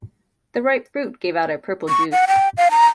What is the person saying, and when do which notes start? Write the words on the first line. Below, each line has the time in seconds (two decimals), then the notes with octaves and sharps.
The ripe fruit give out a purple juice.
1.89 C#6
2.12 F#5
2.28 G5
2.57 F5
2.71 A#5